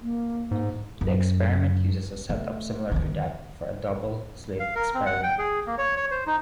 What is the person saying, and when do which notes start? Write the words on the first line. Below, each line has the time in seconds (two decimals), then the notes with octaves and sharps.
The experiment uses a setup similar to that for the double-slit experiment.
0.01 A#3
0.51 G#2
1.01 F#2
2.29 A3
2.92 D2 D#3
4.60 F5
4.75 A#4
4.94 C4
5.06 F#5
5.23 G5
5.38 G#4
5.67 A#3
5.78 C#5
5.96 C#5
6.11 C5
6.26 D#4